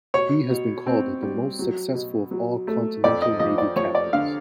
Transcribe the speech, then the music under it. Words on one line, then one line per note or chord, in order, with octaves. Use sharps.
He has been called "the most successful of all Continental Navy captains".
B2 C#5
B2
C4
G3
F#3
B2
F#3
A3
F2 D5
D#5
F3 D#5
D5
F3 C#5
D5
D3 F5